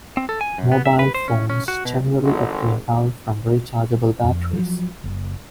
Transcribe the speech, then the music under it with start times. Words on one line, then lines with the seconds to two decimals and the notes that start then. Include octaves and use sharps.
Mobile phones generally obtain power from rechargeable batteries.
0.17 C4
0.29 A4
0.41 G#5
0.58 F#2
0.72 B3
0.86 E5
0.99 B4
1.15 C5
1.28 C#4
1.50 C#4
1.68 F#4
1.85 B2
2.23 G#1 D3 E3
4.24 F2
4.53 F3 F#3
5.04 F#1